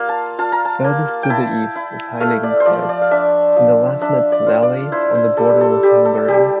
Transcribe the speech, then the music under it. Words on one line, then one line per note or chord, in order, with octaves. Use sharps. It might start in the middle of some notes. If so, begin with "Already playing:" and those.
Furthest to the east is Heiligenkreuz in the Lafnitz valley, on the border with Hungary.
Already playing: A#3 F4 F5
A5
F4 A5
A#5
A5
A#3
G5
E4 A5
E4
A3 F5
D5
C5
F3 D5
D5
F5
D4 E5
F3
D4 E5
D5
F4
D5
E4 C5
C5
G3 A4
A4
G3 G4
A4
G3 G4